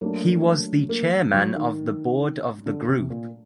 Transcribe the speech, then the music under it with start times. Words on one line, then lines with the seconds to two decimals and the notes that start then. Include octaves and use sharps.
He was the Chairman of the Board of the Group.
0.01 F#3 A3 A#3 D4
0.89 A#3
1.34 F#3
1.56 D#3
2.66 D3
2.88 C3
3.10 A#2